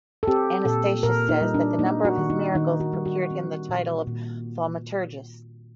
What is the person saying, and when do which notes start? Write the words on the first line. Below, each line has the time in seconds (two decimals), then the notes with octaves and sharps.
Anastatius says, that the number of his miracles procured him the title of Thaumaturgus.
0.23 A4
0.28 C4 G4
0.65 A#2 A4
1.03 A#2 A#4
1.29 D#4
1.41 G3
1.54 D4
1.79 A#3 D#4
2.05 F#4
2.18 D#3
2.30 D#4
2.55 D#3 D#4
2.80 F#4
2.93 G3
3.05 F#4
3.31 C4
3.69 A#2
4.07 A#2